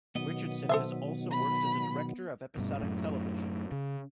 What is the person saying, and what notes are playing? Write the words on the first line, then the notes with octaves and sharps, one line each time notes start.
Richardson has also worked as a director of episodic television.
B2 D#3 F#3 B3 D#5
A4 C5 E5
B5
G2 B2
F#2 A2
C#3